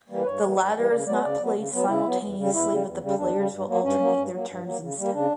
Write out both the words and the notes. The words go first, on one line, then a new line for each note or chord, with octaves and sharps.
The latter is not played simultaneously but the players will alternate their turns instead.
E3 G3 A#3
B4
G2 C#5
E3 G3 A#3
G2
E3 G3 A#3
C#3 D5
F#3 B3 D5
C#3 D5
F#3 B3
C#3
F#3 B3
C#3 E4
F#3 B3
E2
C#3 G3
E2 E4
C#3 G3
E2
C#3 G3
E2 D4
C#3 G3
G2
F#3 A#3
G2 C#4
F#3 A#3
G2
F#3 A#3
G2
F#3 A#3
C#3
G3 A#3
C#3 D4